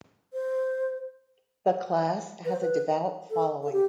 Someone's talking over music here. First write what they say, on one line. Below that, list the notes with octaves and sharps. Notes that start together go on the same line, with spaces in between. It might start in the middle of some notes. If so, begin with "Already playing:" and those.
The class has a devout following.
C5
B4
C5
B4
A4
A4
G4